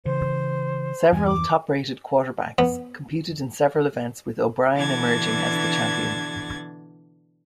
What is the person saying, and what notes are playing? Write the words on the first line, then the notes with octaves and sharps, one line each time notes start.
Several top-rated quarterbacks competed in several events with O'Brien emerging as the champion.
C#3 E3 C5
E2 G2 E3 G#5
D6
B3
B2 D3 E3 D4 G#6 A6